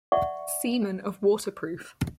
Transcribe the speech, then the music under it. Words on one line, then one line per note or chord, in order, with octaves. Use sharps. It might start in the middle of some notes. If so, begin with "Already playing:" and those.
Seaman of Waterproof.
D5 E5 F#5 C#6